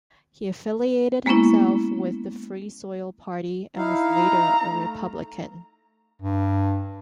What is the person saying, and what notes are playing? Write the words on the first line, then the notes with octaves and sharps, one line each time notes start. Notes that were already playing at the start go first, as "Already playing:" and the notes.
He affiliated himself with the Free Soil Party and was later a Republican.
G#3 A#3 B3 C#4 E4
D#4 E4 F5
A#5
A3
G2